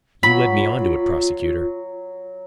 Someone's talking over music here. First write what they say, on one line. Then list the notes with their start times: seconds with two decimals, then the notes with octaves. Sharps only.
You led me on to it, prosecutor?
0.23 F#3 F4 B5